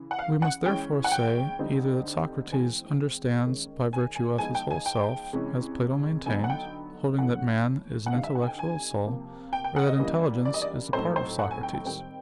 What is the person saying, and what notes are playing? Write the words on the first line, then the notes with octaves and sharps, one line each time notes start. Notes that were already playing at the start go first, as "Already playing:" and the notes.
We must therefore say either that Socrates understands by virtue of his whole self, as Plato maintained, holding that man is an intellectual soul; or that intelligence is a part of Socrates.
Already playing: C#3 E3
F#5
F5
F#5
E3 G#3 C#4 G5
F#5
G5
D3 G3 C4 D#4
E3 G#3 C4 G#5
D#3 G#3 C#4
G#5
G#5
F3 G#3 B3 D#4 G#5
G5
G#5
G5
C3 E3 G#3 C#4
D3 F#3 B3 D#4 G#5
F#5
G5
E3 A3 C#4 F#5
F#5
D3 G3 C4 D#4 F5
E5
F#5
G#5
G5
G#5
C3 F3 A#3
G5
G5
F#5
D#5
C#3 E3 G3 A#3 D4
D5
D#5
D5
A2 F#3 A3 C4 D#4 C5
C5
F#5
G#5
G5
G5
D#3 G3 C4 G5